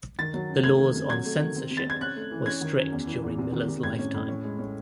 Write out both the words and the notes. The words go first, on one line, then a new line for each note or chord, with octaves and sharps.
The laws on censorship were strict during Miller's lifetime.
D#3 A6
F#3
F#2
A3 G#6
D#3
C3
F#3 G#6
A3
D#3
C4
C3
A6
C4 G#6
C#4 F#6
A3
E3
C#4 G#6
D#3
F#2
E2
E3
E2
C3
D#3
C3
A2 G#6
C#4
A2
C#4
G#3
C#4